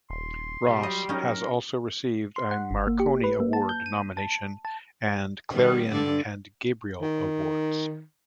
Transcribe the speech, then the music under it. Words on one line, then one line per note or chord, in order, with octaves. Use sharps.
Ross has also received a Marconi Award nomination and Clarion and Gabriel Awards.
D#1 C6
B2 G3
F#3 D#5
F#3 C#4 D#4 A#4
C6
F#5
G1
A#3
G4
B4
A#3
A5
G6
D#7
A5
A5
D#3 G3 B3
G2 D3 D5
D#3